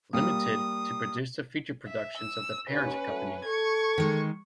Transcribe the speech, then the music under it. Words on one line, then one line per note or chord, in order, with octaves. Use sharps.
Limited, to produce the feature productions of the parent company.
G3 A#3 D#6
E5
E6
D#2 C#4 B4
F#3 A3
A4 C#6 G#6
D#3 G#3